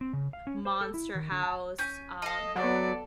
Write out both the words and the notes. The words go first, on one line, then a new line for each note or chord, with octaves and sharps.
Monster House, um,
C4
C#3
F5
C#4
C5
A4
E4
D#3
D3
A5
C#4 G#5 G6
A4 D#5 F5
F#3 B3 D5